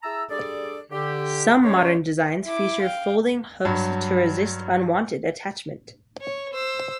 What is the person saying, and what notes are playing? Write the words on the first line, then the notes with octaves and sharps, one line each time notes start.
Some modern designs feature folding hooks to resist unwanted attachment.
E4 G#4 A5 A#5 E6
G3 D4 G#4 A4 D5
D3 G4
G#3 C#4 C5 C#5
E4 D6
F5 G5
G2 F#3
C#5
C5 E6